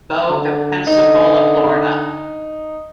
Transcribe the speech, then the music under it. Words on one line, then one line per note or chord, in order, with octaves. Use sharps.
Bogue of Pensacola, Florida.
D3
D3 D#4